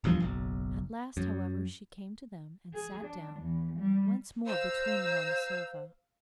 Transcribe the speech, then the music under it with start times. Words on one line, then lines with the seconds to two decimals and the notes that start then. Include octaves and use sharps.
At last, however, she came to them, and sat down once more between them on the sofa.
0.04 D1 E2 G2 F3
0.20 F#1 B1
1.17 F#2
2.73 G#4
3.04 D4
3.40 E2
3.80 G3
4.46 C5 F5 A#5 E6 G6